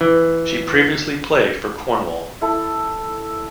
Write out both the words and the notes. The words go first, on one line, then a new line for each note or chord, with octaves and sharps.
She previously played for Cornwall.
E3
E4 A4